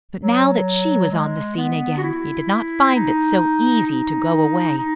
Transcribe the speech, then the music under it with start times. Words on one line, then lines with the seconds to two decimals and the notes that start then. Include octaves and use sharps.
But now that she was on the scene again, he did not find it so easy to go away.
0.20 F#3
1.11 G#3
1.57 B3
1.97 F#4
2.03 E4
2.95 D#4
3.86 D#4
4.78 D#4